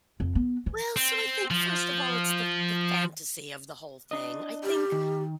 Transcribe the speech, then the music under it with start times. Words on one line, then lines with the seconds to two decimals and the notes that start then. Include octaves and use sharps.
Well, so I think, first of all, it's the the fantasy of the whole thing. I think,
0.20 F2
0.35 B3
0.66 E3
0.96 C4
1.51 F3
4.11 D4 D#5
4.64 G4
4.92 D#3